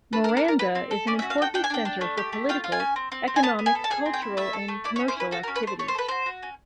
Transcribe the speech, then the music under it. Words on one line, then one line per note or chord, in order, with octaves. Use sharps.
Miranda is an important center for political, economic, cultural and commercial activities.
D4 B4
A#4
D4
A#4
A4
A#4
E4 B4
C4
A4
C#4 D5
E5
F#4
F5
A4 G5
D4 G5
G#5
D4 G5
D4
A3
G4
A3
F4 G5
F4
G#5
C#4
C4
C4
C4
G#5
B3 A5
B3
G#5
A4
A5
G#4 G#5
C4
G5
E4
A3 E5
A4
A3
E4 D5
C#5
C#4
C5
E4 B4
F#4 A4
A#4
C#4
B4
A3 C5
A3 C#5
C5
A4 B4
F#4 C5
F#4
C#4